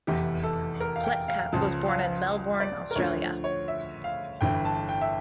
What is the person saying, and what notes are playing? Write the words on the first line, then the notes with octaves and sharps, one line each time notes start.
Pletka was born in Melbourne, Australia.
F1 E2 E3 G4
A4
A#4
F5
G5
F5
C#2 C#3 F3 A5
F5
D5
A#4
D2 D3 F3 C#5
C#5
E5
F5
G1 G2 E3 G5
A5
G5
E5